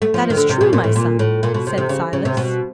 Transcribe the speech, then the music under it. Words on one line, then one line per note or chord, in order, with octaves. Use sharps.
"That is true, my son," said Silas.
A3
F3
D#3
D3
C3
B2
A#2
A2
A#2
A2
A#2
B2
C3
C3
C#3
C#3
C3
B2